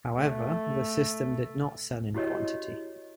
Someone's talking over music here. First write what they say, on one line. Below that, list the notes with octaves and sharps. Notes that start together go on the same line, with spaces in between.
However, the system did not sell in quantity.
A3
E4 F#4 G4 C#5 D#5